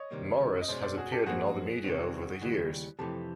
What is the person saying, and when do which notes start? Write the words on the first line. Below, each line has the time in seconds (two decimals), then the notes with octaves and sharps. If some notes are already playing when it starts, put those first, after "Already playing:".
Morris has appeared in other media over the years.
Already playing: C#5 D#5
0.11 C3 D#3 G3 A#3
0.61 D#5
0.68 B2 G#3 C#4 C5 D5
0.83 C5 D5
0.97 F#4 G#4
1.12 G4 A4
1.26 G#2 F3 A#3 F#4 G#4
1.84 C3 D#3 G3 C4
2.41 D#2 C#3 E3 G3
2.99 F2 C3 E3 A3 G4 A4